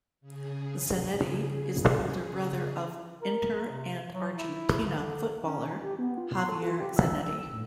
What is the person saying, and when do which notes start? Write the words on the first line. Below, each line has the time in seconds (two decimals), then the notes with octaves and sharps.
Zanetti is the older brother of Inter and Argentina footballer Javier Zanetti.
0.21 C#3 G#4
3.22 A#4
3.64 C3
4.12 F#3
4.37 E4
4.86 D3
5.43 C#4
5.81 G4
5.99 B3
6.18 F4
6.33 C6
6.49 A4
6.63 F4
6.80 G4
6.96 E5
7.19 E6
7.36 E6
7.52 A2